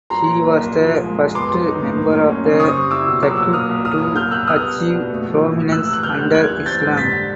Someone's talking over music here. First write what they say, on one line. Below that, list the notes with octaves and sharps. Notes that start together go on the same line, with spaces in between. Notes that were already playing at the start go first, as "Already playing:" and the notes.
He was the first member of the Thaqif to achieve prominence under Islam.
F#3 A#5 C6
A#2
A#3
C2
F3
A#2
G#3
C2
B3 C6 D6
F#3
D#4
A2
A#3
F#3
C#4
C#3
C4 C#6 D#6
G3
E4 D6 E6
B2
F#3 D6 E6
A#2
A#3 D#6 F6
C2
F#3 D#6 F6
A#2
C2 F6 G6
C2 E6 F#6
B3 D#6 F6
G3
D4
B2
A3
F3
A2
A2
E3 E6 F#6
C3
F#6
G3 F6 G6
D2
G3 F#6 G#6
E3
C4 G6 A6
G#2
G3 A6 B6
D3